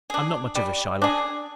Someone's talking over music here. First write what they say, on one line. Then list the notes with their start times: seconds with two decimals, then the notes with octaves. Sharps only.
I'm not much of a Shylock.
0.10 D4 G#4
0.55 G3
1.02 D4 G#4